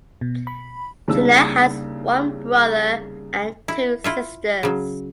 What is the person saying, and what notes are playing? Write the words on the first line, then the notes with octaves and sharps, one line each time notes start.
Jenna has one brother and two sisters.
B2
B5
C2 C#3 A#3 D4 D#4 E6
E4
E4 F4 E5
C#3 F#3